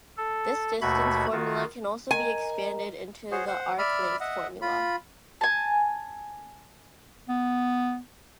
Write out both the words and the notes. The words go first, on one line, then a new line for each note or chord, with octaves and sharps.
This distance formula can also be expanded into the arc-length formula.
A4
D#2 B2 A3 F#4 B5 G#6
D#3 F4 F#4
A#4 D#5 G#5 A#5
F#4 G#4 C5 C#5
C5 F#5
D5 E5 B5 F6
D#5 E5 F#5
F4 B5
G#5 A5
B3